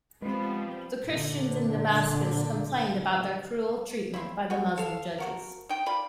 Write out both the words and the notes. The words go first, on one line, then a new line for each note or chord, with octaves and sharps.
The Christians in Damascus complained about their cruel treatment by the Muslim judges.
F3 G3 G#3 B3 C4 B4
A#2 D3
C4 E4
B3 F#4
A4 F5
F3 F#4 A#4
D#4 G5
F4 D5 B5